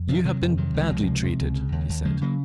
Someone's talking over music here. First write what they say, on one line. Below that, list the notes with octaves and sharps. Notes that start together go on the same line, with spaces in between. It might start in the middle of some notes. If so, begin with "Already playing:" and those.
"You have been badly treated," he said.
Already playing: F2
C3 F3
C3 D#3 F#3
F2 F3
C3 D#3 F#3
C#2
F3 G#3
C#2
C3
C3
C#2
C#3
D#2
D#2
C#3 F3 G#3
C#3 F#3 A#3